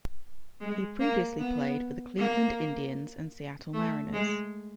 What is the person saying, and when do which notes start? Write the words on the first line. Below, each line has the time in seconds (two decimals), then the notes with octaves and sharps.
He previously played for the Cleveland Indians and Seattle Mariners.
0.61 G#3
1.00 A#3
1.39 B3
2.18 A#3
3.74 A3
4.13 G#3